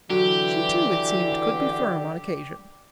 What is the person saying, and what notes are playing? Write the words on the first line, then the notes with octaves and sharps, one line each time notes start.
She, too, it seemed, could be firm, on occasion.
D3 E3 F#3 G4